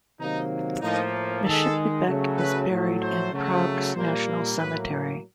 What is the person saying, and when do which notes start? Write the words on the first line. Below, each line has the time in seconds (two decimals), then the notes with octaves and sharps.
Myslbek is buried in Prague's National Cemetery.
0.19 C3 D#3 F#3 A#3 D#4
0.82 A2 F3 A#3 D#4
1.44 D#3 G#3 A4
2.07 C#3 F#3 A3
2.38 B4
2.69 A2 F#3 A3
3.01 C5
3.32 C#3 F#3 A3
3.94 A#2 G3 A#3 C5
4.57 A2 F#3 A#3 B4